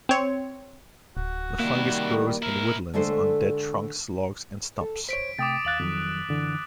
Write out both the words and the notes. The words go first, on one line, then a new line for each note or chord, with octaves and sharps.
The fungus grows in woodlands on dead trunks, logs, and stumps.
C4 C#5
D1 F#4
C3 D#3 G3 A#3 E4
B2 E4 A#4
D3 G#3 A3 D4 A4 C5
A4
C5 C#5 B6 D7
C3 A3 G5 D6 D#6 A6
D#2 F5 F#6 A6 F7 F#7
F2 D#3 F#3
F#2 D3 E3